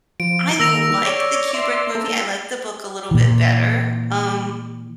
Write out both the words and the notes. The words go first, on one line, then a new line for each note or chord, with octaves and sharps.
I like the Kubrick movie, I like the book a little bit better, um
F3 D7
D#3 A#3 E6 A#6 F7
C#5 D5
D5 E5 C6
A#3 A4
A#2 E3